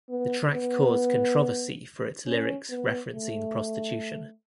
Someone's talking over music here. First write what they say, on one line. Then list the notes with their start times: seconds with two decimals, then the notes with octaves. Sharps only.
The track caused controversy for its lyrics referencing prostitution.
0.10 B3
0.53 B3
2.27 C#4
2.70 B3
3.13 A3